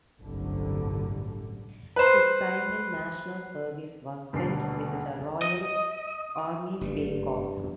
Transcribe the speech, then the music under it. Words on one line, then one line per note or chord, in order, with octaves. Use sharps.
His time in National Service was spent with the Royal Army Pay Corps.
G1 C2 F#2 A2 D3
B4 C5
D#1 D2 B2 D4 B5 C7
D#5
F#1 G2 G3 A3